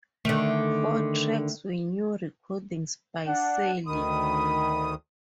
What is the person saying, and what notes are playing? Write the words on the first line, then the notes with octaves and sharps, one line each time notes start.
Four tracks were new recordings by Seely.
D3 D#3 A3
D4 F#5
D2 D#3 B5 D#6